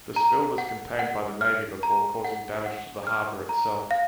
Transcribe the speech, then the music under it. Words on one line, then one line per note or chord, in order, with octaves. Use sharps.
The spill was contained by the navy before causing damage to the harbour itself.
A#5
F#5
F#5
F6
A#5
F#5
F#5
F6
A#5
F5